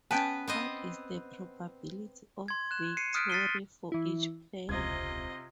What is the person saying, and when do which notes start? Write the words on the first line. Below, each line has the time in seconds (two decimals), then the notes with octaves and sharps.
What is the probability of victory for each player?
0.11 B3 C#4 B4 G5 A5
0.48 B3 C4 D#5
2.48 C6 G#6
2.71 F#6 E7
2.97 C7 C#7 D#7
3.14 D#6 F6 F#6 A6 B6 D7
3.30 A6 B6 C7 D#7 G7
3.92 E3 E4
4.69 E1 C#2 C3 F4 D#5 G#6